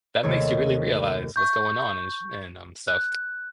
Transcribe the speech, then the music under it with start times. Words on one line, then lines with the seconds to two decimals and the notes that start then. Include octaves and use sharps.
that makes you really realize what's going on and sh and, um, stuff.
0.23 D#2 C3 D#3 A3 A4 C#5
1.36 C#6 G6
2.87 F#6